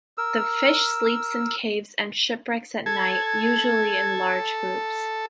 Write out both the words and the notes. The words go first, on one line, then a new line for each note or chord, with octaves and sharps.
The fish sleeps in caves and shipwrecks at night, usually in large groups.
A#4 E6
A4 G#6